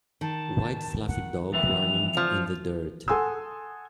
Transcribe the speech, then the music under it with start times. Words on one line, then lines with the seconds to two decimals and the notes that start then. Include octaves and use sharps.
White fluffy dog running in the dirt.
0.21 D#3 A5
1.07 F#5
1.53 F2 E3 E4 F7
2.17 F3
3.08 A4 F#5 G#5 C6 D#6 E6